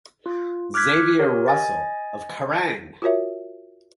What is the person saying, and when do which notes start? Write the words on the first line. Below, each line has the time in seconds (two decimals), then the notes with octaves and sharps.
Xavier Russel of Kerrang!
0.26 F4
0.74 D6 F6 F#6 G#6 B6
1.19 G4 A#4 C#5
1.48 D#5 G#5 A6
3.02 F4 F#4 A#4 C#5 E5